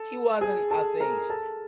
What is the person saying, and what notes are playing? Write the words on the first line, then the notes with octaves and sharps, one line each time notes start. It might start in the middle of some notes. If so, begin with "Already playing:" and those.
He was an atheist.
Already playing: A4
G#4 G#5
A4 A5
A#4 A#5
A4 A5